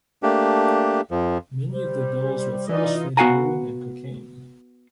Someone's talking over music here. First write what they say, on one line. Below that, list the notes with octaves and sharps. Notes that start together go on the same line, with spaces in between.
Many of the girls were force-fed heroin or cocaine.
A3 A#3 D4 G4
F2 F3
G3 C5
E3 D#4 F4 D5 D#5
B3 F#4 F5 F#5 G#5 A#5